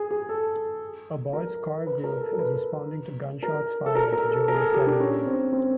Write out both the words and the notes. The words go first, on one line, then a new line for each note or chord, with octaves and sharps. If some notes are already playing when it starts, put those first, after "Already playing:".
A boys choir group is responding to gunshots fired during a ceremony.
Already playing: G#4
G#4
A4
A#4
B4
A#4
A4
A#4
B4
A#4
A4
A#4
A#4
A4
A#4
G#4
A4
G4
D4
C#4
C4
C4